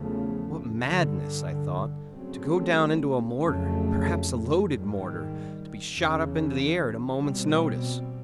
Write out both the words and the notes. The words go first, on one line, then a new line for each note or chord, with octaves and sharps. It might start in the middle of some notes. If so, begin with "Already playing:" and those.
"What madness," I thought, "to go down into a mortar, perhaps a loaded mortar, to be shot up into the air at a moment's notice!"
Already playing: E2 C#3 F3 A3
G2 D3 G3
C#3 F#3 A3 C4
F2 C#3 F#3 A3
G#2 D#3 G3
E2 C#3 E3
B2 G3 C4